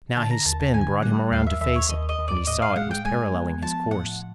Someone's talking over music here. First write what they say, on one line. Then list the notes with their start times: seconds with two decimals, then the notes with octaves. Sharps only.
Now his spin brought him around to face it, and he saw it was parallelling his course.
0.17 D3 A5
0.30 A#5
0.45 D#2 A5
0.60 A5
0.74 D3 G#5
1.03 G3 F#5
1.32 D#2 F5
1.47 E5
1.61 D#2 E5
1.76 C#5
1.89 D#2 D#5
2.09 D#5
2.19 D#2
2.28 D5
2.47 A2 D#5
2.62 F5
2.76 G#3 F#5
2.91 G5
3.05 G#3 G#5
3.34 B3
3.62 F3 A5
3.91 A2 F#5